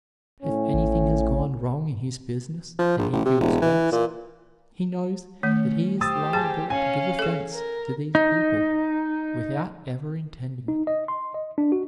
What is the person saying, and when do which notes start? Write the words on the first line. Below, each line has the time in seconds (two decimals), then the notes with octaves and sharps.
If anything has gone wrong in his business and he feels vexed, he knows that he is liable to give offense to these people without ever intending it.
0.42 A2 C#4
0.74 A1
2.79 F3
2.98 A#1
3.13 A1
3.25 C3
3.40 E1
3.62 E3
3.92 A#2
5.43 D#3 A3 C#4
6.01 G4 C5 D#6 E6 A6
6.33 G#4 G#5 A5 A6
6.70 C#4 F5 G#5
7.19 G#4 A4
7.54 A#4
8.15 D#4
10.68 D#4
10.87 D#5
11.08 C6
11.34 D#5
11.58 D4
11.72 F#4